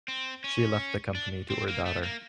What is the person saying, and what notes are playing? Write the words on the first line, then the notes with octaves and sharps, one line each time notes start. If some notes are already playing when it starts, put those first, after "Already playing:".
She left the company to her daughter.
C4
C#4
D4
C4
A#3
A3
A#3